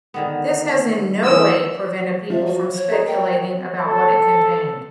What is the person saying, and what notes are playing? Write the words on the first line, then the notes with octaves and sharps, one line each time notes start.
This has in no way prevented people from speculating about what it contained.
D3 D#3 B3
E3 A#3 D#5 E6
F3 E5
F#4
C#5
A#4 D#5
G5
A4